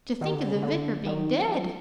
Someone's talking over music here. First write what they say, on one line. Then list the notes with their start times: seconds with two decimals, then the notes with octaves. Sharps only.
To think of the Vicar being dead!
0.21 D#3
0.35 D3
0.48 C#3
0.62 D3
1.06 D#3
1.49 F3